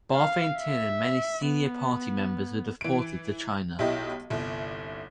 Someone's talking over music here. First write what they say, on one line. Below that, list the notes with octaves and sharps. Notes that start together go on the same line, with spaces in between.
Ba Thein Tin and many senior party members were deported to China.
F5
E5
B3
E3 D7
B1 E4 G4 D#5
G1 C2